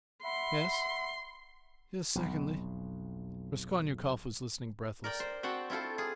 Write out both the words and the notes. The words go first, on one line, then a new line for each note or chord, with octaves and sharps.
"Yes, yes, secondly?" Raskolnikov was listening breathless.
E5 F#5 B5 C6
B1 F2
A#4 D5 G5
C5
C4 F#4 F#5 G5 A5 C6
C4 E4 F4 A4 C5
F4 G#4